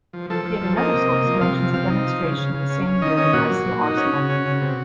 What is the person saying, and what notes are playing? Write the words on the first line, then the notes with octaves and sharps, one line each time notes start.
Yet another source mentions a demonstration in the same year the Brescia Arsenal.
F3
F3 A4
F3
F3
A#3 D#5
C3
A#3
F3
C3 F5
F3
C3 F5
D#4
F3
C#3
C#3
C#3
C#4
C#4
D#3 D#5
C#4 D#5
A#2 F#4
F#3
A#2
D#4
C#4 F#4
C#3
C#4
C#3
C3